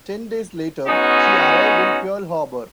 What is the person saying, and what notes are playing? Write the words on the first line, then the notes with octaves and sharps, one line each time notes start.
Ten days later, she arrived in Pearl Harbor.
G#3 B3 C#4 D#4 F#4 D#5